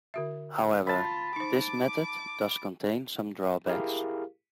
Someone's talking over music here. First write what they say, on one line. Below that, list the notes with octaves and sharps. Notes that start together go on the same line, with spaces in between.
However, this method does contain some drawbacks.
D3 F#4 E5
F4 A5 B5
D#4 C5 D6
E4 G4 G#4 A#4 F5